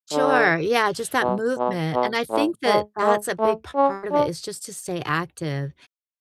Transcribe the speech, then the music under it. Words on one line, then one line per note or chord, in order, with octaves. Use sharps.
Sure. Yeah, just that movement, and I think that that's a big part of it is just to stay active,
D3
B2
B2
B2
A2
G#3
G#3
A3
C#4
D4